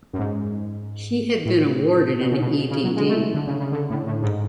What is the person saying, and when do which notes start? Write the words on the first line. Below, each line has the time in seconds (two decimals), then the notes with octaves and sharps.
He had been awarded an Ed.D.
0.13 F#2
0.19 G#2
1.45 A2
2.21 B2
2.32 C#3
2.42 B2
2.71 C#3
2.84 F#3
2.97 G#3
3.09 A3
3.34 D3
3.47 C#3
3.60 C#3
3.72 D3
3.90 A2
4.07 A2
4.23 G#2